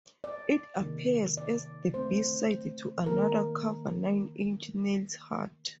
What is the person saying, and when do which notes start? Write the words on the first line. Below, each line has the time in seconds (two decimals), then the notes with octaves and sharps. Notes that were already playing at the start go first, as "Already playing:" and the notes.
It appears as the B-side to another cover, Nine Inch Nails' "Hurt".
0.24 D5
0.80 C3 D#3 A#3
1.37 D5
1.93 D3 A3 C4 C5
3.06 D#3 A#3 A#4